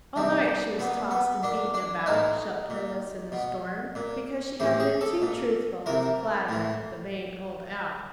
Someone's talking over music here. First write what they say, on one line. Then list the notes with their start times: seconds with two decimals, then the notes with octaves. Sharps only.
All night she was tossed and beaten about shelterless in the storm, because she had been too truthful to flatter the vain old Owl.
0.16 C3 E3 G3
0.79 A#2 B3
1.11 B3
1.43 A#2 D4
1.74 D4
2.06 A2 E3 D#4
2.70 A#2
3.32 B2
3.95 A#2
4.60 A2 E3 G4
4.80 G#4
5.01 A4
5.22 A#2
5.86 C3 E3 A#4
6.49 A2 E3